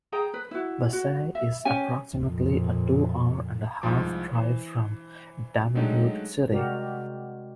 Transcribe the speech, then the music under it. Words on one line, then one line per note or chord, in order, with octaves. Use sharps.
Basay is approximately a two-hour-and-a-half drive from Dumaguete City.
G#4 G5 A#5
B4
E4 F#4
F#4
E5
C#4 G4 G#5
F2 A#2
C2 G#2 F3 D6
E3 C5
F#3 G#3 A3 D4 D#4 G4
C3 G#3 F#4 G4 A#4 D5